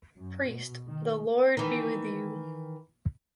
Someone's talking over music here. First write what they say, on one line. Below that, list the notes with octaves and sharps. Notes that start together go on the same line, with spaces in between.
Priest: The Lord be with you.
F#2
B2
D#3
D#3 E3